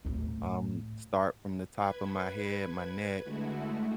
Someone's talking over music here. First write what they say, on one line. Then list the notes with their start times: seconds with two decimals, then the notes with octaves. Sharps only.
Um, start from the top of my head, my neck,
0.05 D#2 A2
1.74 B4 G#6
3.24 D3 G#3 A3 E4 F#4